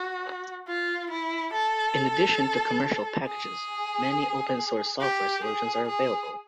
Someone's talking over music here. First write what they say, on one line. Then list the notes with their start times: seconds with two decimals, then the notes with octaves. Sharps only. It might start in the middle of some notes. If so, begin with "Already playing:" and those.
In addition to commercial packages, many open-source software solutions are available.
Already playing: F#4
0.68 F4
1.11 E4
1.54 A4
3.27 G#4
5.01 G4
5.44 G#4
5.88 G#4